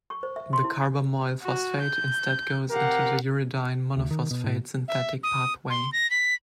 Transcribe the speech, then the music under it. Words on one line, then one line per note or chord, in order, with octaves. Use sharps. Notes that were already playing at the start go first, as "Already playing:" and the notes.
The carbamoyl phosphate instead goes into the uridine monophosphate synthetic pathway.
C#6
C5
E5
C6
E4
F#4
G6
C3 G4 A#4 F5 F#5
D2
D#3
B2
A2
E5
D#6
C6
A#6
B6